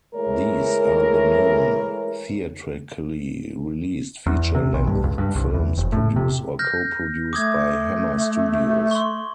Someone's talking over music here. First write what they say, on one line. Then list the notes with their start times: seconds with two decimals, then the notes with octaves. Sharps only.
These are the known, theatrically released, feature-length films produced or co-produced by Hammer Studios.
0.15 E3 G#3 A3 A#4 C#5
4.26 E2
4.55 C3
4.74 B1
4.87 G2
5.03 C#2
5.18 G2
5.36 C2
5.54 E2
5.77 F1
5.92 A2
6.16 C3
6.59 F6 G6 A#6
7.33 A3 D6 D#6 G#6
8.91 C6 C#6